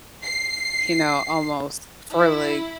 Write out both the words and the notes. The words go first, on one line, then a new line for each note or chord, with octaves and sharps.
you know, almost for, like,
C7
E4